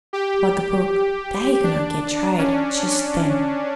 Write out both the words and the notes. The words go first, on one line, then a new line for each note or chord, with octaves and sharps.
But the book--that he could not get tried just then.
G4
D4
C#4